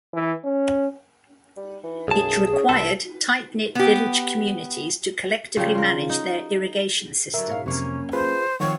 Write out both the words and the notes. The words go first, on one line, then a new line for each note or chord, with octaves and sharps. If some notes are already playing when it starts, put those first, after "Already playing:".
It required tight-knit village communities to collectively manage their irrigation systems.
E3
C#4
G3
E3
B1 F#2 G#4 A5
C#4
C2 G2 A4 B6
B3 G4
C#3 F3 G3
F4 A#4
D#4
D3 F#3 A#4 E5
G#2 C#4 F5
F2 C3 F#3 A#3 C#4 C#6
F4 G#4 B4 C5
D#3 F3 C4 F4 F#4 C#5